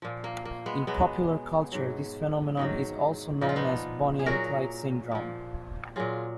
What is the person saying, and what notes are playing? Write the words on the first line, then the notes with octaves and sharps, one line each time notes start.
In popular culture, this phenomenon is also known as "Bonnie and Clyde Syndrome".
A#2 F3
A#3
A#3
G#3 B3
B2 F#3 G#3 B3
G#2 F#3
G#2 D#3 F#3
A#2 F3 D#4
F4
B3 D#4
G#4
A#2 F#3 F#4 A#4
A#2 F3
A#2 F#3 F4 G#4